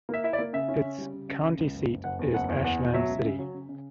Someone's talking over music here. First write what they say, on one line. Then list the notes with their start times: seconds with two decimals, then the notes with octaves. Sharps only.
Its county seat is Ashland City.
0.09 A#3 E5
0.24 E4 E5
0.33 D5
0.39 A#3
0.53 C#3 E5
0.68 C#4
0.83 C#3
0.98 G3
1.13 C#3
1.29 C#3
1.44 C#3
1.58 C#2
1.74 F#1
1.89 F#1
2.04 F#1 F#5
2.19 E2
2.34 F#1 F#5
2.48 E2
2.64 E2 F#5
2.79 B2
2.94 F#3 E5
3.09 C#2
3.24 C#3
3.39 F#3
3.54 C#3
3.69 C#3